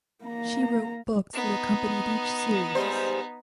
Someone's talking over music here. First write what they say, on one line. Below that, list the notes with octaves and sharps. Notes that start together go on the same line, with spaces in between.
She wrote books that accompanied each series.
A#3 A#5
B3 D#4
G#2 G3 C5